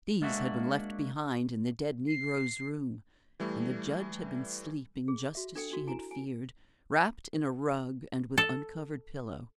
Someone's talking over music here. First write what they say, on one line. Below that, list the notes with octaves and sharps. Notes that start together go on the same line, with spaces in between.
These had been left behind in the dead negro's room, and the judge had been sleeping just as she had feared, wrapped in a rug and with uncovered pillow.
G#3 A#3 D4 F#4 E5
C7
E3 G3 A3
G#4
F#4 E5
D4 A4 G5
D4 F#4
E4 G#5 A#5
G#5
A4